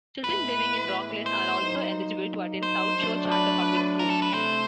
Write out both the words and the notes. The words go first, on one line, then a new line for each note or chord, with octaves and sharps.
Children living in Rockland are also eligible to attend South Shore Charter Public School.
A2 E3 G#3 B3 E4 B4
C5
F#3 A#3 D#4
C5
F#3 A3 D4
B4
A#4
A4
B4
C3 E3 A3 C5